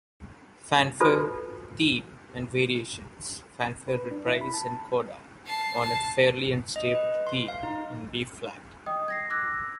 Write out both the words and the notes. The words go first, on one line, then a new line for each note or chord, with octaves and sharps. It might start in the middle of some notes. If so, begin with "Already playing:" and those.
Fanfare, theme and variations, fanfare-reprise and coda, on a fairly unstable theme in B-flat.
D#4 F4 F#4 A4 B4 C5
B4
D4
E4
B5
A5
A5 C7
A5 C7
D#5
B4
C6
F5
D#4
D#5 G5 D#6
G#6 A#6 C7
D6 E6 F#6 G#6 A#6